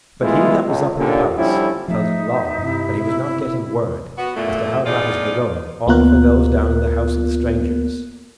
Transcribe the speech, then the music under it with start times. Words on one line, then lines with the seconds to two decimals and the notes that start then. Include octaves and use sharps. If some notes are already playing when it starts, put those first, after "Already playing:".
But he that was up in the palace felt it long that he was not getting word as to how matters were going on for those down in the house of the strangers.
0.21 E3 G#3 A3 B3 E4 F4
0.67 C#2
0.97 D#2 A#2 D3
1.36 D3 F3 G3 C#4 E4
1.88 F3 A3 D#4 E5
2.59 G2 C3 E4
4.18 B3 F#4
4.36 E2 A#2 A3
4.86 E2 A2 D#4 F4 G#4 D5
5.87 D2 A#3 B3 F4 A#4 F#6